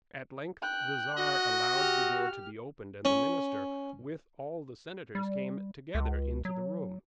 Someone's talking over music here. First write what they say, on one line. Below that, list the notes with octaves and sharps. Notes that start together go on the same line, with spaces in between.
At length the Czar allowed the door to be opened, and the minister, with all the senators, came together into the room.
G5 F#6
F#4 D#5
G4 F6
C#4
G3
C#2
F#3